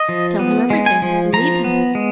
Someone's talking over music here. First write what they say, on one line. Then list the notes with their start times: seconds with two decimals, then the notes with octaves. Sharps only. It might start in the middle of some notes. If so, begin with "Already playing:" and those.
"Tell him everything, and leave him."
Already playing: D#5
0.09 F3
0.39 B3
0.70 G#3
0.86 G#5
1.02 F3
1.33 F3 A#5
1.64 B3
1.95 G#3